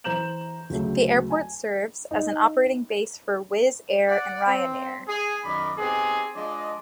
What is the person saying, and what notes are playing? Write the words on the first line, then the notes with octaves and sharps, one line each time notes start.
The airport serves as an operating base for Wizz Air and Ryanair.
E3 C5 A#5 G6 E7 F#7
D2 C#3 F#3 A3
G#5
D#4
D5 F#5
C4
G#4
F#2 D#3 D5 D#5 B5
B3 C4 D#4 G4 G#4
F3 G#3 D4 G#4 D5 D#5